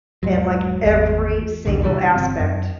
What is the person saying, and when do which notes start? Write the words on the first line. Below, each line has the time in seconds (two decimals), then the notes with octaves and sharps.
and, like, every single aspect,
0.23 E1 G#2 F#3
0.84 G#1 E2
1.65 B1 E2 G#2 D3
1.83 C3 E3 G3
2.16 G1 C4
2.40 F#2